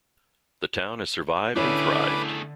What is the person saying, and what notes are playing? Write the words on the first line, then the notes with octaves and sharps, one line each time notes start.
The town has survived and thrived.
D3 A3 C#4 E4 G#4 B4 B5 D6